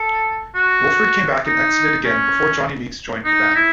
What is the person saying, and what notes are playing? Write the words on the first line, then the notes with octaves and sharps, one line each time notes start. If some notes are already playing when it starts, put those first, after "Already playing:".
Williford came back and exited again before Johnny Meeks joined the band.
Already playing: A4
F#4
D#4
C#4
D#4
E4